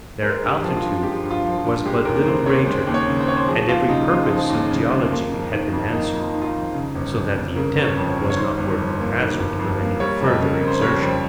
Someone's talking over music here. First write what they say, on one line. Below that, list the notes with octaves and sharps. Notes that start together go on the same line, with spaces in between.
Their altitude was but little greater, and every purpose of geology had been answered; so that the attempt was not worth the hazard of any further exertion.
G#3 A#4
G2
G4
F3
F4
G2
G#3 G4
G2
F4
F3
F4
G2
G#3 G4
D#2 A#4
A#4
C#3 C5
C4 C#5
G#3 C5
D#2
C#5
C#3
C5
C4 C#5
C5
F3 G#4
D#2 F4
C#3 D#4
G#3 F4
F4
F3 D#4
D#2
C#3
G#3
A#3
F2
D#3
F2
A#3 D#4
F2
F4
D#3
F4
D#4
F2
C#3
G1
F2
G1
C#3 A#4
G1
C#5
F2
C#5
G1
C#5
D#3 C5
G1
F2
A#3
D#3
G1
F2
A#3
G3 C#5
F2
D#5
C#3
A#4
C4
C5
G3 C#5
F2 C5